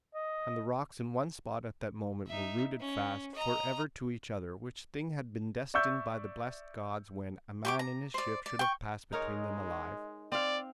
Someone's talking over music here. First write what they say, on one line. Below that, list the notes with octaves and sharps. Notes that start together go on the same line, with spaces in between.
And the rocks in one spot at that moment were rooted fast for ever to each other, which thing had been destined by the blessed gods, when a man in his ship should have passed between them alive.
D#5
D#4 E5
C#4
D#5 A#5
D5 E5 C#6 E6 G6
G4 C#6 D6
A#5
C5 D5
D5
G5 C#6
G#3 D#4 A#4 C#5
C4 D5 F5